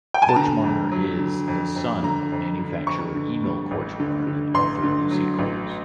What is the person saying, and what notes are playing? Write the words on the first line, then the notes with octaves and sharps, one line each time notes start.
Kortchmar is the son of manufacturer Emil Kortchmar and author Lucy Cores.
G5
G#5
A5
D3 A#5
F2
F#3
D3
F2
F2
D3 A#5
F2
D3
F2 C#6
D3
G3
A1
D3
D3
A1 C6
D3
F#3
A1